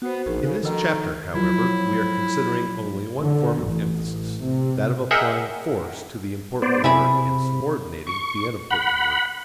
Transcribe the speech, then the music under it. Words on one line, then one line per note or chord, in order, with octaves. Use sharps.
In this chapter, however, we are considering only one form of emphasis: that of applying force to the important word and subordinating the unimportant words.
B3 F#4 C5
A#1 D#4 G#4 A#4
C#3 A4
D#3 F3 D4 F#4 A4 F#5 A#5
F3 F#3 E4
D3
A1
C3
G#4 A#4 D#5 E5 F#5 G5
B3 C5 D5
C3 E4 G#4 B5
C#6
F#5 B5